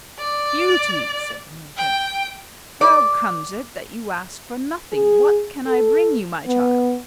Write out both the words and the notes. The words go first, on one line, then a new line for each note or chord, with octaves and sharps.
"Beauty," said the merchant, "how comes it that you ask for nothing: what can I bring you, my child?"
D5
G5
D5
G#4
A4
B3